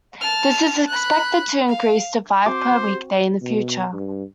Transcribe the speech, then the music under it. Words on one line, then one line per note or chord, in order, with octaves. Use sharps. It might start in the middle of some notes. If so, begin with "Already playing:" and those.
This is expected to increase to five per weekday in the future.
A5 F6
B5 F#6
F5
C4 F#4 C5 D6
B2
G2